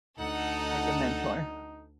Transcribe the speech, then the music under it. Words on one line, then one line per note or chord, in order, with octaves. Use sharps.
Like a mentor.
D2 D#4 A4 F#5